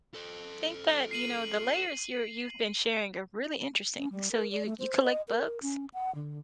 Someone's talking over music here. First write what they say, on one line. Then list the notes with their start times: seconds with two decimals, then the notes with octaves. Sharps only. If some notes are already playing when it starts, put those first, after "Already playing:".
Think that, you know, the layers you're you've been sharing are really interesting, so you you collect bugs?
0.15 A4 C5
1.11 C7 D#7 F#7
3.98 C#4
4.12 G3
4.32 A#4
4.52 D5
4.66 A3
4.79 C5
5.04 D#5
5.28 A#4
5.62 C#4
5.94 F#5
6.15 D3